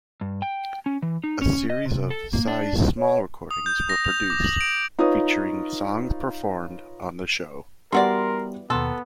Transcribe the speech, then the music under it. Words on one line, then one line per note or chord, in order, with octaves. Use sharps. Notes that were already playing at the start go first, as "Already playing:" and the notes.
A series of "Size Small" records were produced, featuring songs performed on the show.
G2
G5
C#4
E3
D#4
C#4
D#5
C3
A4
A#3
D4
C#5
D#6
G6
A#6
F7
D6
F#7
D7
D#4 F4 B4 C#5 D#6
E3 G3 B3 F#4 A#4 D5 C6
D#2 B2 B3 A4 C6